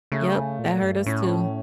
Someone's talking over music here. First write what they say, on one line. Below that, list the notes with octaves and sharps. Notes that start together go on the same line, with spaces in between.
Yep. That hurt us too.
C#3 A3
A#2
G2
A2 C#4